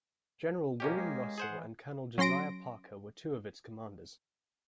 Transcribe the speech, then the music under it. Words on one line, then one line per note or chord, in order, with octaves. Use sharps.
General William Russell and Colonel Josiah Parker were two of its commanders.
B2 A#3 C#4 G4
G#3
G#4 C5 F#5
E3
F#3 C#4 C6 A#6 D7